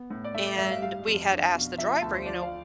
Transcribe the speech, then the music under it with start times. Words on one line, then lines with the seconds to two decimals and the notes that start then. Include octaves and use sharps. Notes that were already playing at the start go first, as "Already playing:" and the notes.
and we had asked the driver, you know,
Already playing: B3
0.10 A2
0.24 D5
0.35 A3 E5
0.46 D5
0.58 G2 E5
0.71 F5
0.82 G3 F5
1.07 F2
1.31 D4
1.55 B2
1.78 F3 E5
2.02 D2 A5
2.14 C5
2.26 F3 D5
2.42 F5